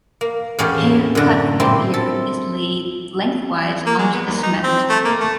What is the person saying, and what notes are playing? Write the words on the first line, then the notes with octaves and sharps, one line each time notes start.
Hair cut from the beard is laid lengthwise onto the cement.
A#3
E2 A2 C#4 G4 F5
F#2 D3
A#2 C4 E4 G4
A4
A#3
G#3
B3
D#2
D#4
C4
A3
A#3
A3